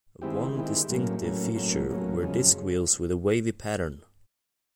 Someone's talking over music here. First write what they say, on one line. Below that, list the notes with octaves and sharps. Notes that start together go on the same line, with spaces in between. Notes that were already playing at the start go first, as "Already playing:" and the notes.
One distinctive feature were disc wheels with a wavy pattern.
D#3 G#3 C4 E4 G4
D#3 G#3 C4 E4 G4
A2 F#3 A#3 C#4
A2 F#3 A#3 C#4
A2 F#3 A#3 C#4
A2 F#3 A#3 C#4
F#2 C#3 F3 G#3 C#4